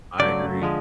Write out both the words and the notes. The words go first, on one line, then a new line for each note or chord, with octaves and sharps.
I agree.
C#3 F#3 A3 D5
D3 F3 G#3